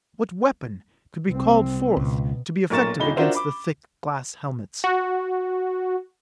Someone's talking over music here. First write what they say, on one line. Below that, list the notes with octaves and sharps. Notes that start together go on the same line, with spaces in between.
What weapon could be called forth to be effective against the thick glass helmets?
C2 C4
C#2 B2
B1 A#2 A#4 C#6 A6 E7
D#1 D#4 B5 G7
D4 F4 F#4 A#4 C5 E5
B5 D6
F#4